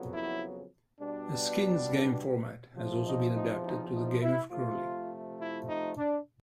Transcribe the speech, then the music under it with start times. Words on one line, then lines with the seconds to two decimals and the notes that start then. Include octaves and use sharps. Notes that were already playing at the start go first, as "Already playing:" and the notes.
A skins game format has also been adapted to the game of curling.
Already playing: F2 C#3 F#3 B3
0.13 E4
1.01 B2 G3 B3 D4
2.76 E2 C3 F3
3.05 D#4
3.35 D#4
3.64 D#4
3.93 D#4
4.23 E4
4.51 C3 F3 A3 F4
5.40 E4
5.69 D#4
5.97 D4